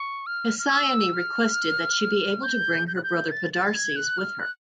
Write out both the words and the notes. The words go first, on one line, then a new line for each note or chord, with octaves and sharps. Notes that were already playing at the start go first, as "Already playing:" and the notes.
Hesione requested that she be able to bring her brother Podarces with her.
Already playing: C#6
F6
F6
E6
F6
G6
G6
F#6
G6
A6
A6
G#6
F#6
F6
F#6